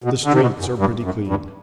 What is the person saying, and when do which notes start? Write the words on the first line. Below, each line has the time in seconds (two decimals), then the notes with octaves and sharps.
The streets are pretty clean.'
0.04 B2
0.24 D3
0.32 C3
0.41 B2
0.60 F#2
0.78 G2
1.03 F#2
1.28 G2